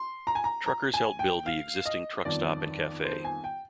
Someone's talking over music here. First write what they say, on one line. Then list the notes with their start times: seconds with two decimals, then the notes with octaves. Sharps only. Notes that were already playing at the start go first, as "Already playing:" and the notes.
Truckers helped build the existing truck stop and cafe.
Already playing: C6
0.27 A#5
0.35 G#5
0.44 A#5
0.66 A#5
0.94 G#5
1.19 G5
1.46 F5
1.86 D#5
2.25 G1 F2 D#3 D5
3.05 C5
3.25 G#5
3.44 G5